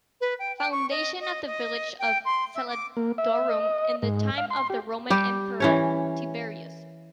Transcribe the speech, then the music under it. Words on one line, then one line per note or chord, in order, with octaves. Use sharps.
Foundation of the village of "Salodurum" in the time of the roman emperor Tiberius.
B4
G5
G5
C#6
D#5
D#5
D#5
G5
C6
E5
D6
A#3
E5
D#5
G#2
F5
C6
G4
G3 G4
E3 C#4 C#5